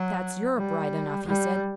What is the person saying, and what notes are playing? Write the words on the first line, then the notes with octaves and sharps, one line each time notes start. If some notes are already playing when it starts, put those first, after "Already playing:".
"That's Europe, right enough," he said.
Already playing: F#3
G3
G3